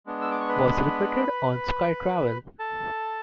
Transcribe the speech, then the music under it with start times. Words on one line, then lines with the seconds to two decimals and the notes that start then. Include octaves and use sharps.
Was repeated on Sky Travel.
0.06 G#3 B3 D4
0.22 E6
0.31 D6
0.40 C#6
0.49 B4 B5
2.59 A4 A5